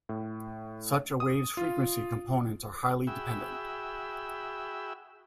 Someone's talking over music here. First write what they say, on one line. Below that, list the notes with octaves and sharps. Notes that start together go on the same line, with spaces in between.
Such a wave's frequency components are highly dependent.
A2
D#6
F4
F#4 G#4 E5 G5 B5 E6